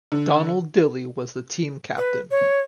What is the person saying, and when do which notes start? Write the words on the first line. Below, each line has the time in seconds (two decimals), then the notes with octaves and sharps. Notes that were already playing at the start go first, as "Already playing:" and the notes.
Donald Dilly was the team captain.
0.12 D3
1.98 B4
2.31 C#5